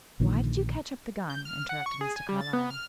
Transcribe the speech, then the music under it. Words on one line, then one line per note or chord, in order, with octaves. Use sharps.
"Why did you catch up the gun?" interrupted Mr. Carlyle.
A#1 A#2 D3 D#3
G6
F6
F#5
C#6
G#4
G#5
G3
A6
B3
F6